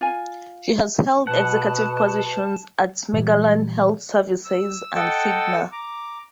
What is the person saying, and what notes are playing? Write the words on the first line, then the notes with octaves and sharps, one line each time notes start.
She has held executive positions at Magellan Health Services and Cigna.
F4 G#5
B2 B4 F#5 A5
A#2 E3 G3
E6
A4 D#5 F#5 G5 A5 E6
A#5 D6